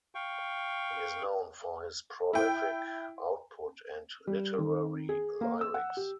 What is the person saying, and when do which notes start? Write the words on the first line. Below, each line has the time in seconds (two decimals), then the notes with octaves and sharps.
He is known for his prolific output and literary lyrics.
0.15 F5 G5 C#6
2.33 E4 G5
4.27 G3
4.59 D#3
5.09 G#4
5.41 A#3
5.61 E6
5.74 F#5
5.97 G4